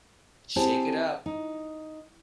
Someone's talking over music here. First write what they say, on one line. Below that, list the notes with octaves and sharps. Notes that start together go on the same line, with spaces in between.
Shake it up.
C4 E4 G4 G#4 C5 A5
D#4